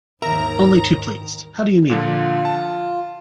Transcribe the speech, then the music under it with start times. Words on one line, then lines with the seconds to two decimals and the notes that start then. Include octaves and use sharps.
Only too pleased. How do you mean?
0.22 D#2 G#2 D#3 A#4 E5 A#5
1.89 A#2 D3 F3 F4
2.45 A5